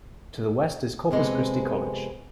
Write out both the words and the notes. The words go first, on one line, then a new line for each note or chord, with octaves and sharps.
To the west is Corpus Christi College.
F2 C3 G#3 B3